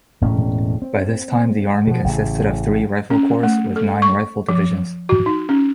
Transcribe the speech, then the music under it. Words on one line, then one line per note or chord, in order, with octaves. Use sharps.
By this time the army consisted of three Rifle Corps with nine rifle divisions.
E1 A2 C#4
C4
B2 F3
A1 C#3
C#4
A3
A4
C#6
F3
F#4
D#4
C#4